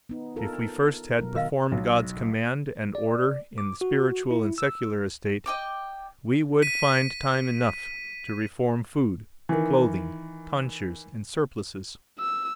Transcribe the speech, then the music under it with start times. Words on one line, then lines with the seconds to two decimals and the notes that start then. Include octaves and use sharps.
If we first had performed God's command and order in the spiritual and secular estate we would find time enough to reform food, clothing, tonsures, and surplices.
0.09 B3 D#4
0.36 F4 A4 A#4
0.53 D4
1.19 B2 F#3 A#4
1.35 D#3 A#4 D#5 F5
1.72 B1
2.95 D5
3.58 D6
3.81 F#4
4.31 E4
4.58 E6
5.46 D#5 G5 D6
6.62 B6 D#7
9.49 D#3 E3
12.19 E6